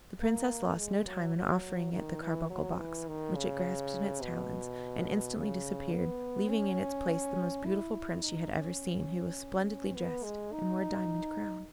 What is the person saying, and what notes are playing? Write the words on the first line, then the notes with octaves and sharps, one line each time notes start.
The Princess lost no time in offering it the carbuncle box, which it grasped in its talons, and instantly disappeared, leaving in its place the most beautiful Prince she had ever seen, who was splendidly dressed, and wore a diamond crown.
A#3
G#3
F#3
F#3
D#3
E3
F#3
E3
D#3
C#3
B2
C#3
B3
C#4
E4
D#4
C#4
B3
G#3
D#4